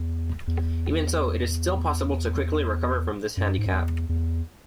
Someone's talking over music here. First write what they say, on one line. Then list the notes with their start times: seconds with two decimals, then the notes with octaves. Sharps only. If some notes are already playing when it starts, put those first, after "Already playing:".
Even so, it is still possible to quickly recover from this handicap.
Already playing: E2
0.47 E2
3.37 F#2
3.58 G#2
3.66 F#2
3.73 E2
4.09 E2